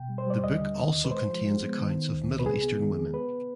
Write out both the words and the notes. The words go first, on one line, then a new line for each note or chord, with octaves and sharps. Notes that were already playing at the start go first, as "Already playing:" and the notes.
The book also contains accounts of middle eastern women.
Already playing: B2 G5
G3
C5
G3 D5
D#2 D#5
D3
D#3
D#2
B4
G#3 C5
F3
G#3
B3
D#3
D#3
D2
C3
B4
C2 G#4
B3
D#3
G#3
B3 B4